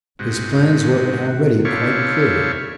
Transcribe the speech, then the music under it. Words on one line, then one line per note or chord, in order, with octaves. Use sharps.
His plans were already quite clear.
G#2 C3 F#4
C3 D4 E4 C#5 F5 C#6